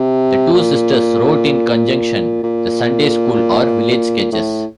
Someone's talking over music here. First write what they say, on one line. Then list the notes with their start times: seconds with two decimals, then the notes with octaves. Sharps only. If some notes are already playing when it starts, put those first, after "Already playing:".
The two sisters wrote in conjunction "The Sunday-School, or Village Sketches".
Already playing: C3
0.54 A#2
2.43 A#2
4.32 A2